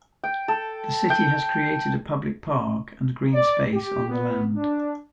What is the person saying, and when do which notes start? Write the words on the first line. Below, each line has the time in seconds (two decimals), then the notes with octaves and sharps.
The city has created a public park and green space on the land.
0.24 G5
0.48 A4
1.10 G5
3.34 D5
3.73 G4
4.08 B3
4.55 D4